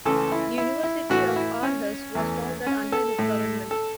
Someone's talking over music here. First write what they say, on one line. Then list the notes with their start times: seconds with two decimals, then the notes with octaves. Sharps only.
The University of Aarhus was founded under his government.
0.06 C#2 C#3 E3 A3 A4
0.32 E4
0.58 E4
0.84 E4
1.10 A2 E3 A3 F#4
1.36 E4
1.63 C#4
2.15 E2 E3 A3
2.67 C#4
2.92 A4
3.19 A2 A3
3.71 A4